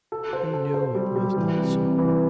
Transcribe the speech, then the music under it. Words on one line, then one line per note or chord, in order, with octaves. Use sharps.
He knew it was not so.
A4
C5
A4
C5
G3
G3
E3
C3
C3
E3